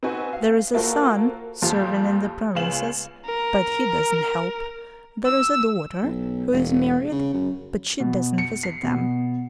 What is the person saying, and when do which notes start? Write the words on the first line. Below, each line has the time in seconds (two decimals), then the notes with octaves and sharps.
There is a son serving in the provinces, but he doesn't help; there is a daughter, who is married, but she doesn't visit them.
0.03 C4 D#4 F#4 B4 G#5
0.33 F5
0.74 A#3 F4 F#4 A4 A#4 C5
1.62 F2 A#2 F3 G4 F5
2.55 C#2 B3 G#4 F5 E7 F#7
3.26 A#4
5.26 E6
6.02 B1
6.52 E1
7.11 C#3
7.33 F#2
8.00 B2
8.38 C#7
8.63 C7
8.83 B2